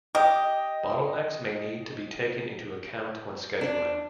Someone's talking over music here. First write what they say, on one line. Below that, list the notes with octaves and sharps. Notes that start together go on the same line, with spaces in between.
Bottlenecks may need to be taken into account when scheduling.
G4 D#5
D4